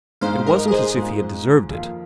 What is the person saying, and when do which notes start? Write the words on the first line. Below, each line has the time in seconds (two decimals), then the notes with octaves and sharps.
It wasn't as if he had deserved it.
0.21 G#2 G#3 D#4 C5 F5
0.46 A#4 D#5
0.68 D#5
0.71 G#4 C5
0.96 G#2 G#3 F4
1.70 F2 F3 A#3 F4